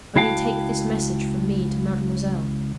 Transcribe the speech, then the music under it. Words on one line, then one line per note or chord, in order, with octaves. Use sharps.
Only take this message from me to mademoiselle.
C#2 E4 F#4 F5 G5 A5